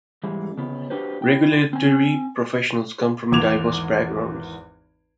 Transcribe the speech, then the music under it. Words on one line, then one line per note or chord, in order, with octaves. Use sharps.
Regulatory professionals come from diverse backgrounds.
G#2 E3 G3 G#3
C#3 B3
D4 F#4 G4 B4 C5
E4 G5
C4 G#5
G#1 E2 D6 G#6 E7 F7